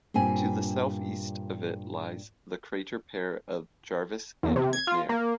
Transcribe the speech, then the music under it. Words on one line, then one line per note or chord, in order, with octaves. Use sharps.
To the southeast of it lies the crater pair of Jarvis and McNair.
G2 A#2 C4 G#5
E2
C3
G#6
F4
A#3